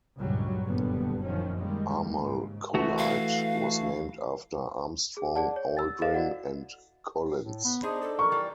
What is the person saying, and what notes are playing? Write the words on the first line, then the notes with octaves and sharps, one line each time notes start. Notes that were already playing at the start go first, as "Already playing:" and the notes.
Armalcolite was named after Armstrong, Aldrin, and Collins.
C#2 G2 A#2 F#3 G3
F#1 G2 A#2 D3 G3 B3
F#2 D#3 F3 C#4
D#3 G3 G#3 A#3
G#2 C#3
E3 A3 F#4
F5
G#4
G#4 D5 F#5 A5
C#5
E6 A6
A4 C5 D#5 F5 A6 E7
E4 F#4 D5 F#5
A2
B3
D4 D#4 G#4 C5
A4
A#4 C#6
E3 G3 D5